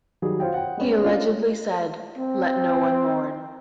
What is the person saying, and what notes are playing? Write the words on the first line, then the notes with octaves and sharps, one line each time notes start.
He allegedly said, Let no one mourn.
D#3 F#3 G3 G#4
F4 F#4 C5 C#5 F5 G5
F#5 G5
G#3 B3 C#4
C#4 D4 F4 D5
C4